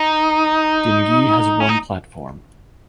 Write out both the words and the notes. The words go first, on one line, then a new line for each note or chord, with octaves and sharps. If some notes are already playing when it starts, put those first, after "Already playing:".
Dingee has one platform.
Already playing: D#4
C#4
D#4